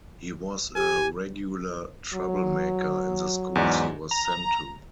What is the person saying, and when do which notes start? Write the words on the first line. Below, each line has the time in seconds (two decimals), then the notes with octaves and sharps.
He was a regular troublemaker in the schools he was sent to.
0.76 G4 G#5
2.14 F#3
3.55 E2 G#2 D5
4.11 A#5